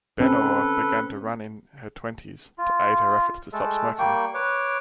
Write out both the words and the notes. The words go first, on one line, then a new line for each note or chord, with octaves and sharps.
Benöhr began to run in her twenties, to aid her efforts to stop smoking.
C4 C#4 A4 B4
F4
G#3 A3 A4
G3 A#3 G5 C#6
B4 C#5 D6